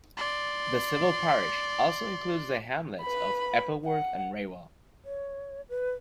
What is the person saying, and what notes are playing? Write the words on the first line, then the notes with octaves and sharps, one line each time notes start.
The civil parish also includes the hamlets of Eppleworth and Raywell.
D5 C6
B4 B5
F#5
C#5
B4